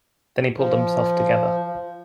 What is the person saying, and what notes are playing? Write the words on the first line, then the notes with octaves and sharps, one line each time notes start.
Then he pulled himself together.
F3